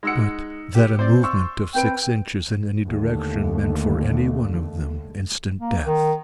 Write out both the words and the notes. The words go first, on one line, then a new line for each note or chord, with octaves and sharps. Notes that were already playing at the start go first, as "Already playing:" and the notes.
But--that a movement of six inches in any direction meant for any one of them instant death.
G#3 D#4 F#5 E6 C#7
G4
C4 C5 D5
C6 C#6 E6
C4 B4 G5 D7
D#2 D3 A3
A#3
D#3